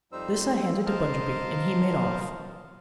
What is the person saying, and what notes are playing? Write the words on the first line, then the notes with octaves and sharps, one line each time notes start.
This I handed to Bunderby and he made off.
F2 G3 D#4 C5 E6
A#4 C5 D#5 F5 A5